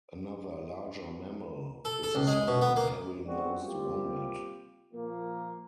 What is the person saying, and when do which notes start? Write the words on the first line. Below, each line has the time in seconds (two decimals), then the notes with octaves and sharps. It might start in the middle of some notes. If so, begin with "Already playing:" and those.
Another larger mammal is the southern hairy-nosed wombat.
1.85 A4
2.03 A4
2.15 C#2
2.27 G#3
2.48 B2
2.62 B3
2.76 A#3
3.25 G#3 B3 C4 D4 F#4
3.58 G3 A#3 C4 F4 G4
4.94 A#2 F3 A#3